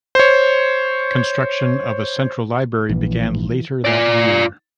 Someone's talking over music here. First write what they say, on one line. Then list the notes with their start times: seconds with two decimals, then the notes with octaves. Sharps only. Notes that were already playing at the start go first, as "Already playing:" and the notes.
Construction of a Central Library began later that year.
0.15 C5 C#5
2.89 A#1 E3
3.85 F4 D5